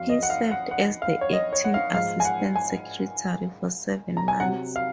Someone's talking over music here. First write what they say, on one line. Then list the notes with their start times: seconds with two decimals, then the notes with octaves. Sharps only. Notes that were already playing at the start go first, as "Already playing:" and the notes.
He served as the acting Assistant Secretary for seven months.
Already playing: F2 F#3 F5
0.09 D#5
0.23 F#5
0.30 F5
0.51 F#5
0.71 F#5
1.02 F5
1.21 C#5
1.33 D#5
1.53 C#5
1.64 F#5
1.74 F5
1.94 G#2 F3 G#3 F5
2.20 G#5
2.25 F#5
2.56 G#5
4.17 A#5
4.28 G#5
4.40 C3 F#3 F#5
4.76 F5